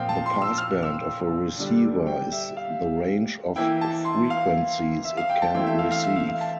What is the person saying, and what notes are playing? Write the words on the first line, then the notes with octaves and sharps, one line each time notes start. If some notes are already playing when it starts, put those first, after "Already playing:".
The passband of a receiver is the range of frequencies it can receive.
Already playing: A#2 F3 C4 F5 G5
A5
C6
E6
F6
E6
D3 G3 D4
G5
E5
F5
E3 A#3 E4 G5
A5
C6
F5
E5
F5
G5
A5
E3 A3 C4 E4 G5
E5
F5
F5
E5
F5
F5
A5